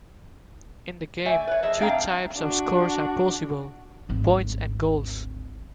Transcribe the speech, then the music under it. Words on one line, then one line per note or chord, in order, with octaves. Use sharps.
In the game, two types of scores are possible: points and goals.
A3 D5 E5 G#5
B4 C#5
F3 G#4 D#5 E5
G#2 C4 D4 F5 G5 A#5
D4 F#4
G#1 D2